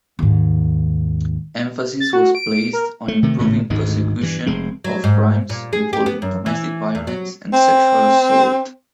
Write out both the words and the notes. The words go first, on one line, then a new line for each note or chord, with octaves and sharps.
Emphasis was placed on improving prosecution of crimes involving domestic violence and sexual assault.
D#2 G#2
A6
F#4
D7
A#4
A3
C3 D#3 A3
G#1 A2 C#3 A3
G#1 D2 G#2 G#3
G2 E3
F1 G#3 C4
F#3
G#2
A#2
G#4
G4
B3
F#2
E3
E2
F#3
C4